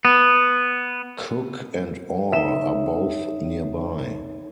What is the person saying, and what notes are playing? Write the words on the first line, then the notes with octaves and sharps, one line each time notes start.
Cook and Orr are both nearby.
B3
D#4 C#5 E5 E7